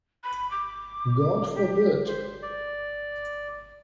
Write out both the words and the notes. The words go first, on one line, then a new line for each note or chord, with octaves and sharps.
God forbid!
B5
D6
G4
C5
D5